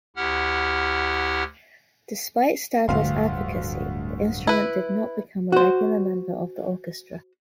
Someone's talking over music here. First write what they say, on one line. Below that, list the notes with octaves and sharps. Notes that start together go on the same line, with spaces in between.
Despite Stadler's advocacy the instrument did not become a regular member of the orchestra.
D2 E4 G4 F#5 F6
D1 D2 G2 F3 F5 C6
E4 B4
F#4 C5